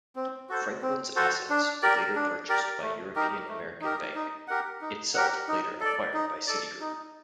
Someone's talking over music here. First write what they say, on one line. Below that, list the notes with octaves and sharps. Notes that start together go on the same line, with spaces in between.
Franklin's assets were later purchased by European American Bank, itself later acquired by Citigroup.
C4
F#4 A4 C5
C4
F#4 A4 C5
D4
G4 A#4 D5
D4
G4 A#4 D5
A3
D#4 G4 A#4
A3
D#4 G4 A#4
D#4
G4 A#4 F#5
D#4
G4 A#4 F#5
D#4
A4 D5
D#4
A4 D5
D#4